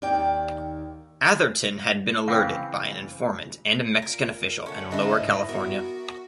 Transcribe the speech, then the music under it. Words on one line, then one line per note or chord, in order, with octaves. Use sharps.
Atherton had been alerted by an informant and a Mexican official in lower California.
D#2 D#3 D5 G5
C#3 E3 C4 F5 G5
A#2 A#4
D3 A3 C#4
D3 C#4 D4 E4 B4 D#5 E5
G#2
B3 F#4 A#4